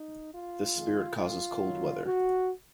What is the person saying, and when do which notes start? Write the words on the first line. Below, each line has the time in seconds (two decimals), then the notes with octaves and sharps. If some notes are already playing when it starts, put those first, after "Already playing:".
This spirit causes cold weather.
Already playing: D#4
0.32 F4
0.75 F2 D#3 G#3
1.17 F4
1.61 F2 D#3 F#3
2.05 F#4